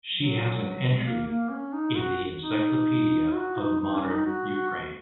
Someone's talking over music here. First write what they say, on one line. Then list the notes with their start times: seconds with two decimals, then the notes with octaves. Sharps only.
She has an entry in the Encyclopedia of Modern Ukraine.
0.13 F#3
0.88 F#3
0.96 G#3
1.04 A#3
1.27 A#3
1.49 C#4
1.74 D#4
1.95 F#4
2.42 D#4
3.34 F#4
3.57 D#4
3.80 D#4
3.95 C#4
4.10 D#4
4.26 F#4
4.49 F#4